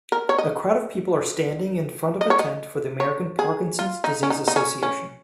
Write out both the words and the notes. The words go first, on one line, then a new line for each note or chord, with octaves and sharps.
A crowd of people are standing in front of a tent for the American Parkinsons Disease Association.
A#4
C#5
D#5
D#5
C#5
D#5
C#5
G#4
F4
D#4
C#4
D#4
D#4
C#4
C#4